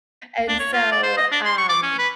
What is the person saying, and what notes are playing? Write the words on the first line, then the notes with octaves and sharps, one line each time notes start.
And so, um,
D4
C#5
F4
D5
C5
D#5
D4
C6
C#6
D6
C#4
B4